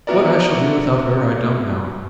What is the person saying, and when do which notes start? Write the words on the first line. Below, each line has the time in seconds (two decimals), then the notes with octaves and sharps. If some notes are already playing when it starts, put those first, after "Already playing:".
"What I shall do without her I don't know."
0.07 B3 E4 F#4 A#4 D5